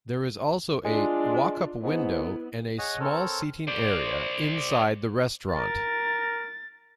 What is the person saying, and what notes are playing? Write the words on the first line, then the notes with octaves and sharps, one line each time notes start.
There is also a walkup window and a small seating area inside the restaurant.
G#3 D4 F4
G#2 B3 E4
G#4 C#5 D#5 F#5
C4 A4 A#4 C#5
C5 D5
A#4 A6